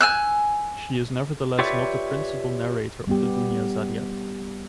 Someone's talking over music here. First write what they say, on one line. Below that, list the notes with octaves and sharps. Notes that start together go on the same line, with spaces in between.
She is nevertheless not the principal narrator of the Dunyazadiad.
G#5 E6 F#6
F4 G4 B4 C#5 D5 E5
G3 B3 G4